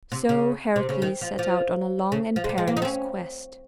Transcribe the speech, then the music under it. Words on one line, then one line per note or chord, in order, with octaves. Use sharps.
So Heracles set out on a long and perilous quest.
C3
C#3
C3
C#3
D#3
F3
F3
C#3
F3
G#3
G3
G#3
A#3
D#4
C4
C#4